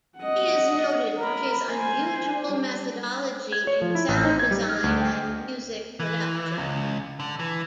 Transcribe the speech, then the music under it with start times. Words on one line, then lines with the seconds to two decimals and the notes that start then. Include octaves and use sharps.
He is noted for his unusual methodology in sound design and music production.
0.18 D#5 F#5
1.18 A#4 B5
1.71 C5 G#5
2.45 G3 D4
3.52 G#6
3.67 C#5
3.82 F3
3.95 E4
4.08 A1
4.25 D#4
4.39 G#6
4.51 G3
4.69 F6
4.84 D2
5.01 G5
6.00 E3
6.58 C#2
7.20 D3
7.39 E3